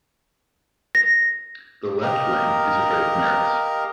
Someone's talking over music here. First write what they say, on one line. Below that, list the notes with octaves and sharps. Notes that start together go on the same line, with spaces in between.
The left wing is afraid of Meretz.
A#6
G4 A#4 D#5 F5 A#5